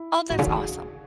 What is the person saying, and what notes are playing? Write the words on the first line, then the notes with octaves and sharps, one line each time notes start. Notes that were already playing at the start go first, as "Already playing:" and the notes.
Oh, that's awesome.
Already playing: E4
A2 F#4
C#3
D#3 G#4